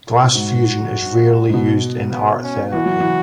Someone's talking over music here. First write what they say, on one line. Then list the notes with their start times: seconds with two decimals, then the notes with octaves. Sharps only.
Glass fusion is rarely used in art therapy.
0.23 B2
0.35 G#2 F#4
1.49 G#2
1.53 B2
2.13 B3
2.43 C#4
2.72 E3 F#4
2.86 F#3
3.00 E3